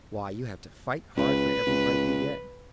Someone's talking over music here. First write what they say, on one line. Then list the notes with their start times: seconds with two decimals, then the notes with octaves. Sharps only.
Why, you have to fight hard for every bite you get.
1.17 C#2 B4
1.67 C#2